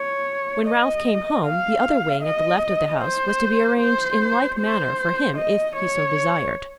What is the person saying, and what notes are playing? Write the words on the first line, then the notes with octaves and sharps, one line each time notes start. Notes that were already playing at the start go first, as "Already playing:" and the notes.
When Ralph came home, the other wing, at the left of the house, was to be arranged in like manner for him if he so desired.
Already playing: C#5
D#5
F5
D#5
C5
C5
C5
D#5
C#5